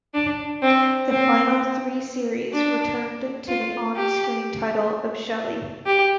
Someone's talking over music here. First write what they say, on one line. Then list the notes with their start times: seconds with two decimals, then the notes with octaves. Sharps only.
The final three series returned to the on-screen title of Shelley.
0.14 D4
0.63 C4
1.10 C4
2.53 D4
3.48 F4
3.96 G4
5.86 G4